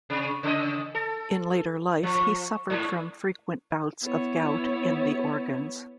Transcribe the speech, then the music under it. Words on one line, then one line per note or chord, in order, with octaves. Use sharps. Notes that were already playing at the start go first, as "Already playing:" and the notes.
In later life he suffered from frequent bouts of gout in the organs.
C3
C#3 D#5
A4
F3
G#2
B3 E4 C#5